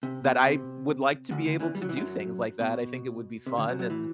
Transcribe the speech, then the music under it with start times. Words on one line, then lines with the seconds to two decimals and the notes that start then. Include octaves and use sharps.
that I would like to be able to do things like that. I think it would be fun, and,
0.03 C3
0.24 B2
0.46 C3
1.31 D2 D3
1.45 D2 D3
1.59 E2 E3
1.75 G3
1.82 F#3
1.89 E3
1.96 F#2 F#3
2.60 B2
3.47 C3
3.57 D2 D3
3.68 F#2 F#3
3.79 F#2 F#3
3.90 E3